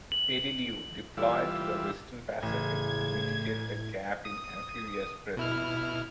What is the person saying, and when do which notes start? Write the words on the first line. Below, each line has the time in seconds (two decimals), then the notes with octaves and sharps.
"Peleliu" deployed to the Western Pacific to mitigate the gap in amphibious presence.
0.12 F#7
1.17 E3 G3 F4 E6
2.43 A1 A2 C#3 G#6
4.25 D#6
5.37 B2 E4 F6